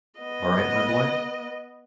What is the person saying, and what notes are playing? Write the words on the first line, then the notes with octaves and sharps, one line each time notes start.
All right, my boy!
B3 D#5